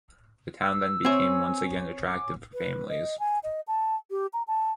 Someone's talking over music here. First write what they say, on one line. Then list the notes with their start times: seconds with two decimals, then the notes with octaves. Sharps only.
The town then became once again attractive for families.
0.61 E6
1.05 C4 C#5 E5 G#5
2.07 D6
2.53 B4
2.88 D#5
3.19 G#5
3.43 D#5
3.67 A5
4.10 G4
4.33 A#5
4.47 A5